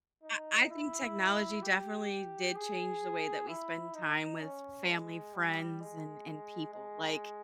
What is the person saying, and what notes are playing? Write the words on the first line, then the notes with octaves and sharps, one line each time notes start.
I I think technology definitely did change the way that we spend time with family, friends, and and people, like,
D#4
E4
G4
G#4
E4
D#4
C#4
G#3
G3
G#3
G#3